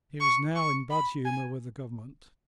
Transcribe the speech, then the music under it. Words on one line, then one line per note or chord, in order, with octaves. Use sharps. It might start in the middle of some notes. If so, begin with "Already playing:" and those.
He was now in bad humour with the government.
C#6
C#6
B5
G#5